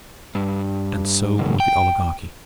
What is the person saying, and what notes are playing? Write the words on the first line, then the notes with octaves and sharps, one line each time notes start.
And so with the Oligarchy.
G2
C#2 F#2
G5